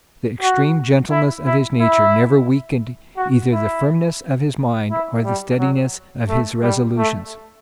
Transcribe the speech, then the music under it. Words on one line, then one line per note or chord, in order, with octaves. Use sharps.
The extreme gentleness of his nature never weakened either the firmness of his mind or the steadiness of his resolutions.
F#4
E4
E4
E4
F#4
E4
E4
G3
F#3
A3
G3
A3